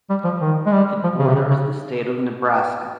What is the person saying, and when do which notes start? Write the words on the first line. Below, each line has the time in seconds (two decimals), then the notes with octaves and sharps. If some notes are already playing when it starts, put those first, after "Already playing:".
It borders the state of Nebraska.
0.10 G3
0.25 F3
0.41 D#3
0.66 G#3
0.73 G3
1.04 F3
1.19 C#3
1.27 C3
1.35 C#3
1.50 C#3